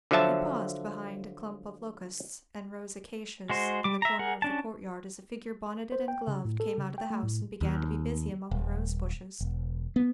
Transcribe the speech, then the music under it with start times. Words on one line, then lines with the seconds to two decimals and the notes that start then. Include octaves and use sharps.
He paused behind a clump of locusts and rose-acacias in the corner of the courtyard as a figure bonneted and gloved came out of the house and began to be busy among the rose-bushes.
0.11 D3 F3 F#3 E5 A5
3.50 G#3 F#4 C5
3.84 G3 D6
4.02 E5 A#5
4.19 G#4 A#4 F#5
4.42 C#4 D4 A5
5.92 C5
6.08 G5
6.27 C#3
6.45 A2
6.60 A4
6.78 C#3
6.98 G5
7.10 A3
7.23 A2
7.61 D#2
8.51 D#1
9.40 E1
9.96 B3